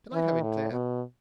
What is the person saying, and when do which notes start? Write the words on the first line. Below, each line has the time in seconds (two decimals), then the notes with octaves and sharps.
Can I have it, Claire?
0.14 E3
0.42 A2
0.72 B2